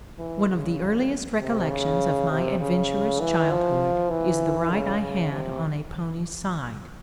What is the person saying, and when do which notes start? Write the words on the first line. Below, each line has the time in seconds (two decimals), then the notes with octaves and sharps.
One of the earliest recollections of my adventurous childhood is the ride I had on a pony's side.
0.19 E3
0.49 C#3
1.39 C3
1.70 C#3
2.30 C3
2.60 C#3
3.21 E3
3.51 F3
4.10 E3
4.71 C#3
5.00 C#3
5.31 C3